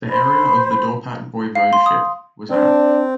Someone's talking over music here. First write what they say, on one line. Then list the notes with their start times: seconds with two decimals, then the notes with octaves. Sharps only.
The area of the Dorpat Voivodeship was app.
0.10 C5 B5 C6
1.55 F5
1.73 C6
1.86 D#6
2.50 C4 D4